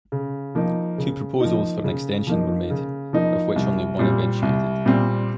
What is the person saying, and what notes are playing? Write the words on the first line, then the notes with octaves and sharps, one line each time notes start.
Two proposals for an extension were made, of which only one eventuated.
C#3
F3 A#3 D#4
C#3
F3 A#3 D#4
C#3
F3 A#3 D#4
C#3
F3 A#3 D#4
C2
A#2 G3 C4
C2
A#2 G3 C4